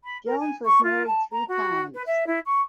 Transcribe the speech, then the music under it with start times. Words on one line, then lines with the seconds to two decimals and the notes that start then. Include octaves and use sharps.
Jones was married three times.
0.04 B5
0.25 A#4
0.40 G#5
0.66 C#6
0.83 F4
1.07 A5
1.32 A#5
1.48 F#4
1.94 B4
2.06 E5
2.27 E4
2.46 C#6